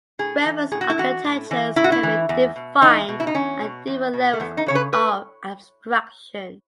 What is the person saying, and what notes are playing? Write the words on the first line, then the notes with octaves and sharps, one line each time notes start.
Reference architectures can be defined at different levels of abstraction.
A2 G#4
E3
A2 G#4
F#4
E4
E3 F#4
A2
E3
A2 E4
F#4
E4
E3
E2
B2
E2 D#4
B2
E4
D#4
E2 C#4
B2
E2
B2
A3
E2 B3
D#4
C#3 E3 C#5
B4
B4